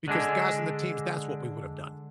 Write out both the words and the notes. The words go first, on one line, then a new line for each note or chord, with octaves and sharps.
because the guys on the teams, that's what we would have done.
D3 G#3 D4